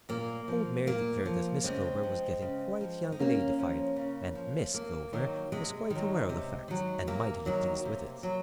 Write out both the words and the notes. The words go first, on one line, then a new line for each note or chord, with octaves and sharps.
Old Mary declared that Miss Clover was getting quite young-ladyfied, and "Miss Clover" was quite aware of the fact, and mightily pleased with it.
A#2 A#3
F3
A#2 A#3
F3
C#3 G#3 C4
F3
C#3
F3
D#4
C#3 A#3 C#4
F3
C#3
F3
C3 A#3
D#3 F#3
C3 G#3
D#3 F#3
C3
D#3 F#3
C3 A#3
D#3 F#3
C3
F#3